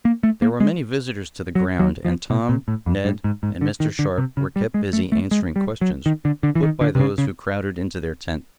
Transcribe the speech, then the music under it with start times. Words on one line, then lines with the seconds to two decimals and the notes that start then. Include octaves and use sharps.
There were many visitors to the ground, and Tom, Ned and Mr. Sharp were kept busy answering questions put by those who crowded into their tent.
0.05 A#3
0.23 A3
0.42 A#3
0.60 G#3
1.55 F#3
1.79 F#3
2.05 F3
2.30 B2
2.49 A#2
2.68 A2
2.86 F2
3.05 G2
3.24 G#2
3.43 G#2
3.61 D3
3.80 D#3
3.99 D3
4.18 C3
4.37 C#3
4.56 G3
4.74 G#3
4.93 A3
5.12 A3
5.31 G#3
5.56 G3
5.81 F#3
6.06 D#3
6.25 D3
6.43 D3
6.55 E3
6.63 D#3
6.81 D3
6.95 C3
7.00 C#3
7.18 C#3